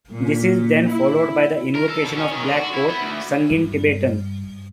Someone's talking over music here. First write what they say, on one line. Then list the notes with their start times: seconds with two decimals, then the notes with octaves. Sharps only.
This is then followed by the "Invocation of Black Coat", sung in Tibetan.
0.10 A#2
0.90 E4
1.75 A#4
1.89 A4
2.04 B2
2.17 C#4
2.32 D#3
2.43 D3
2.57 F#4
2.74 E4
2.89 B3
3.01 D2
3.50 G2